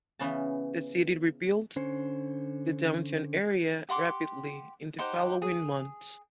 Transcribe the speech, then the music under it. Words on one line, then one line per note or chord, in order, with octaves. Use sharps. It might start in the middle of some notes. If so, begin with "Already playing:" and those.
The city rebuilt the downtown area rapidly in the following months.
C#3 E3 B3 C#4 A5
D3 C#4 C5
G4 F#5 C6 D6
D#4 G4 C5 F#5
G#4